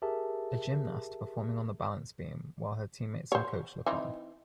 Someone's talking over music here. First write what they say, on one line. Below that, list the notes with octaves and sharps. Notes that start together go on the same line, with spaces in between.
A gymnast performing on the balance beam while her teammates and coach look on.
G4 G#4 A#4 E5 A5
C5 C#5
E3 C4 D#4